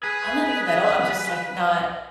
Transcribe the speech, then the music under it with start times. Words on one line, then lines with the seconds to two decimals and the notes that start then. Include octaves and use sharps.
I'm not even that old. I'm just, like, not
0.03 G#4 B4